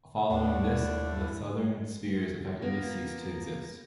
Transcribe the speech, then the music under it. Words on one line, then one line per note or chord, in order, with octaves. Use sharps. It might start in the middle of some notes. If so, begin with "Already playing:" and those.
Following this, the Southern Spears effectively ceased to exist.
D#2 D3 A3 B3 D4
E4
A#3 B3